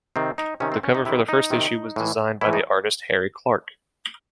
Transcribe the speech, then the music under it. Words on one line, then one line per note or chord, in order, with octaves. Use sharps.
The cover for the first issue was designed by the artist Harry Clarke.
C3 D#3 C4
D#4
C3 D#3 C#4
C4
C#4
D#4
C3 D#3 E4
D#4
C3 D#3
A2 E3
A2 E3 E4
D#4